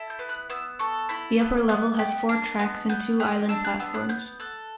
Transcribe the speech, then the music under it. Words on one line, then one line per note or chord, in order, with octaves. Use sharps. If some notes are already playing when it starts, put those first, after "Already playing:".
The upper level has four tracks and two island platforms.
Already playing: E4 A4
G6
B3
F#6
B3 E6
A4 C#6
E4 B5
B3
B3
G4
D4
B3
B3 G6
G4 F#6
D4 E6
F#6
B3 E6
F#6
B3 G6
A4 F#6